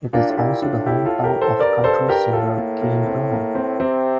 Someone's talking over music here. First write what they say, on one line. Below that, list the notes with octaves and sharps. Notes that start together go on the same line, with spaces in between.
It is also the hometown of country singer Kane Brown.
A#2 D4 F4
A2
A#2 E4 G4
A2 D4 F4
E4 G4
F4 A4
G4 A#4
A4 C5
G2 A#4 D5
A4 C5
G4 A#4
A2 F4 A4
A#3
A#3
C4
A#3
C4
C3 C4